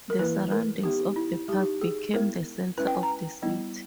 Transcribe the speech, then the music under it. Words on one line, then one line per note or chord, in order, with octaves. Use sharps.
The surroundings of the park became the center of the city.
A#4
E3 A#3 E4 B4
A#4
G#3 B3 D#4 G4
E4
G#3 D#4 G4
G#4
G#3 B3 E4 A#4
G#3 C#4 E4 B4
G5
G#5
A#5
G3 B3 E4